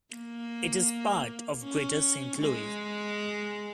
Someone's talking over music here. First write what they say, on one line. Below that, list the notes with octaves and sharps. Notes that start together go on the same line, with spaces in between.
It is part of Greater Saint Louis.
A#3
C#4
G#3